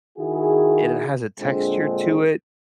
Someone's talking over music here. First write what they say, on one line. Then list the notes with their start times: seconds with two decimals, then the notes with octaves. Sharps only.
it has a texture to it
0.18 D#3 E4 F#4 G#4
1.39 A#1 D3 F3 G#3 C4 G#4